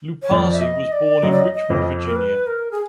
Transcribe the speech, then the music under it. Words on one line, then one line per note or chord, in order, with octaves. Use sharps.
Loupassi was born in Richmond, Virginia.
C#5
F2 F3 D5
E5
D#5
D5
F#2 F#3 D#5
D5
D#5
D#5
F2 F3
A#4
B4
A#4
G#4